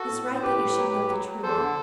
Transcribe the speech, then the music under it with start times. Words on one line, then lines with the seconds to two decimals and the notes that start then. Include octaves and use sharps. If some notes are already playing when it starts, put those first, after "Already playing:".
It is right that you should know the truth.
Already playing: F#4 A4
0.10 A2
0.26 A2
0.34 C5
0.42 A2 G4 B4
0.59 A2
0.76 F#3
0.93 A2
1.09 F#3
1.26 F#3
1.43 E2 A4 C5
1.59 D3